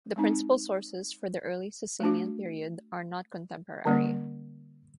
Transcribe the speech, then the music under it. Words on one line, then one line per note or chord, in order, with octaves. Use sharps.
The principal sources for the early Sasanian period are not contemporary.
G#3 C4 D#4
A3 D4 F#4
D3 G3 A#3 C#4